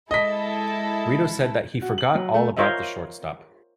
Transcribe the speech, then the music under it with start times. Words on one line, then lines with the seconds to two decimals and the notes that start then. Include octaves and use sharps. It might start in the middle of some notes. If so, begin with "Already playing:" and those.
Brito said that he "forgot all about the shortstop".
0.11 G#3 E4 A4 D#5 B6
1.82 F#4
1.98 F#7
2.15 F#3
2.34 A3
2.57 F4 A#4 C5 C#5 D#5 E5